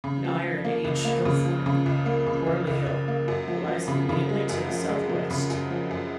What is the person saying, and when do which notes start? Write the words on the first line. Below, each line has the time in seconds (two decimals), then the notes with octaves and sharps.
An Iron Age hillfort, Quarley Hill, lies immediately to the southwest.
0.04 C#3
0.25 F3
0.44 F3
0.64 A#3
0.85 C#2
1.05 A#3
1.25 C#3
1.45 F3
1.66 C#3
1.86 C#2
2.06 A#3
2.27 C#3
2.47 C#2
2.67 C#2
2.87 C#2
3.08 A#3
3.28 F#2
3.48 F3
3.68 F3
3.88 C#3
4.09 C#3
4.29 G#3
4.50 F#2
4.69 F3
4.89 G#3
5.09 F3
5.31 C#3
5.50 F#2
5.71 F3
5.91 F#2